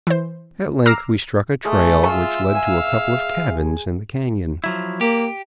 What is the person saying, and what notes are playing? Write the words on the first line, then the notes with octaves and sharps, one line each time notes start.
At length we struck a trail which led to a couple of cabins in the canyon.
E3 C5
A#5 D6 E6 F6 A#6 C7
G#3 A3
F4 E5 E6
F5 G#5
F3 F#3 E4
A#3 G4